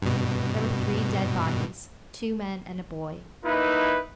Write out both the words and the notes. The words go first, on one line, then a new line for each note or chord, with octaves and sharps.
There were three dead bodies, two men and a boy.
G2 B2
A#3 D#4 E4 B4